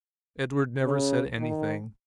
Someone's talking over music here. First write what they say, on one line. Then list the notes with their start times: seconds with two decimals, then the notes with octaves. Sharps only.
Edward never said anything.
0.85 C#3
1.38 D#3